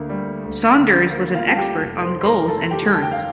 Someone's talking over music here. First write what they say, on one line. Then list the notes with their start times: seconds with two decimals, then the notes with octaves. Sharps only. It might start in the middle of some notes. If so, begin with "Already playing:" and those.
Saunders was an expert on gulls and terns.
Already playing: D2 D3 A#3
0.09 G3
0.44 D2
0.78 D3
1.11 A#3
1.34 F4 F5
1.46 G3 A5
1.57 G4 G5
1.80 F1
2.02 C5 C6
2.14 D#2
2.21 C6
2.25 A#4 A#5
2.48 A3 A4 A5
2.71 G4 G5
2.82 D#3
2.94 A5
3.03 G5
3.12 F5